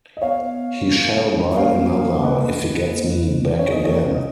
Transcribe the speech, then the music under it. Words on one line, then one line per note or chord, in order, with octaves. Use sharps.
He shall buy another, if he gets me back again.
D#5
B3 C#5 F5
B3
A#3 C#5 F5
B4 D#5
A#3
B3
A#3
B3
C#4 C#5
D#5
A#4 C#5
D#5